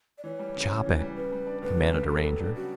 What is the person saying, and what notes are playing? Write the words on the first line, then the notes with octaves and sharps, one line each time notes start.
"Chop it!" commanded a Ranger.
D5
E3 C#5
G3
C#3
C#3
E3
G3
C#3 B4
G3
D4
D2 B4
C#3
G3
F#3 A4
B3
D4
C#3 F#4